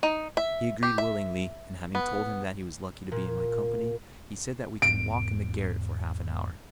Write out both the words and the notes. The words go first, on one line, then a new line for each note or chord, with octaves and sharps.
He agreed willingly, and having told him that he was lucky to be in my company, he said that we could walk in the garret for half an hour.
D#4
E5
G4
E5
B3
A#2
E1 G#2 B3 D7